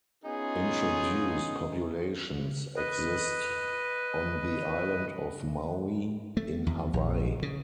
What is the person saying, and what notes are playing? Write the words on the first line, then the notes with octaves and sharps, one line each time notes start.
Introduced populations exist on the island of Maui in Hawaii.
B3 C#4 D#4 F4 G#4
B4 D#5
A3
E2
A#1
C#3